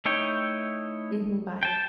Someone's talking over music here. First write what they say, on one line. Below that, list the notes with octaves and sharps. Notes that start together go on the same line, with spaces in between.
Mhm, bye.
A3 D#4 E4 C#5 G5
G5 A5